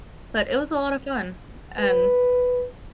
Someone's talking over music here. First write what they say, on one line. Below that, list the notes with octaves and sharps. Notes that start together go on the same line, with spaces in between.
But it was a lot of fun. And
B4